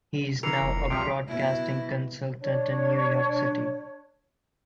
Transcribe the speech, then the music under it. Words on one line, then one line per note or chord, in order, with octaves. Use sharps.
He is now a broadcasting consultant in New York City.
E3 A#4 C7 C#7 F7
F1
C#2 C3 F3 G3 B6 D7
B2 E4
D4 C#5